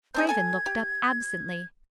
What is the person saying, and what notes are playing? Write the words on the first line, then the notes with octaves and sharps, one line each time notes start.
Craven looked up absently.
C4 D4 G#4 G6
A4 G#5 G#6
G4